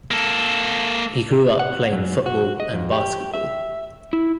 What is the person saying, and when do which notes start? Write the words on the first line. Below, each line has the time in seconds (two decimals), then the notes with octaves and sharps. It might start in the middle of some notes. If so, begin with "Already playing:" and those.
He grew up playing football and basketball.
0.11 A#3 A4
1.59 F#5
1.93 F#2
2.26 F#4
2.60 D#5
2.73 F2
2.92 G4
3.34 E5
4.13 E4